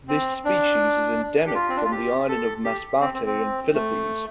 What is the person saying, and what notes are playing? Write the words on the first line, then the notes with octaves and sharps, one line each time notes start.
This species is endemic from the island of Masbate in Philippines.
C4
D4
G4
F4
C4
D4
F4
G4
A4
G4
C4
C4
C4
A3